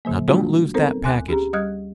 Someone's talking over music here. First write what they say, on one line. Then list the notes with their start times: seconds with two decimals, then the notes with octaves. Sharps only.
Now don't lose that package.
0.05 A#2 D3 F#3 A#3
0.28 G3 G#3 A#3 D4 F4 F#4
0.74 B3 C4 D#4 A4 A#4 C5
1.04 D2 G#5 C6 D6 F#6
1.28 C#4 G4 G#4 A#5
1.53 G3 D#5 D#6 F6 F#6 G#6